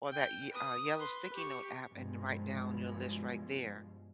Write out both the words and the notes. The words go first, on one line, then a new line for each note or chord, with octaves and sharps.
or that y uh, yellow sticky note app and write down your list right there.
G5
B4 D#6
B4 C6
G4 C#6
G2 B2 F3 G#3